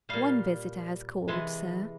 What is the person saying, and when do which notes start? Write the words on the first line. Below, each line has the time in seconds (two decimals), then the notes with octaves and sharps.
"One visitor has called, sir."
0.09 A#2 G3 F5
1.28 C3 E3 G#3